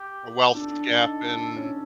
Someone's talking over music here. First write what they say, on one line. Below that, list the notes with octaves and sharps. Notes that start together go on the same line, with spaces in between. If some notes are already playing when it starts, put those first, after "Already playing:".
a wealth gap in
Already playing: G4
D4 A4
D#4
D4
C#4